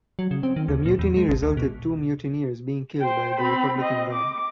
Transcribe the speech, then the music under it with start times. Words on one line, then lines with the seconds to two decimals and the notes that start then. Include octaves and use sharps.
The mutiny resulted two mutineers being killed by the Republican Guard.
0.19 F#3
0.31 C#3
0.43 C4
0.56 D#3
0.68 D2
0.86 A#2
0.99 E2
1.17 G#3
1.29 A1
1.42 D2
1.57 B2
3.00 C5 G5
3.40 C4 B5
3.79 C4 D#5
4.13 D6